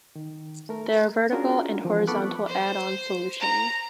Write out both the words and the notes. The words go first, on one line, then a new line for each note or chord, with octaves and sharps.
There are vertical and horizontal add-on solutions.
D#3
A3 A#4
C#4 D4 F4 F#4 G#4 A#4
E3 F3 C4
B3 A4 B5 C#6 D6 F#6
C5
A#5